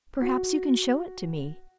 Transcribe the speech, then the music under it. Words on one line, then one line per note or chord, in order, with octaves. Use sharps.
Perhaps you can show it to me?'
F#4